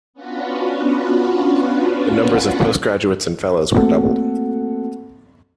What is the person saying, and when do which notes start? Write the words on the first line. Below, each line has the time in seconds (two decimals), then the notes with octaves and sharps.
The numbers of postgraduates and of fellows were doubled.
0.14 B3 C#4 D4 F4 F#4 B4
3.76 A3 A#3 C4 F#4 A4 F#5